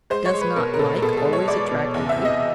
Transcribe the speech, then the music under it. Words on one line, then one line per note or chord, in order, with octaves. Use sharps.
Does not like always attract like?
G#3 C5
C#5
G#3
B4
B2 A#4
A#4
B2 A4
A#4
B2 A4
A4
G#3
C#5
G#3 D5
B2
E2
E5
C3
D#5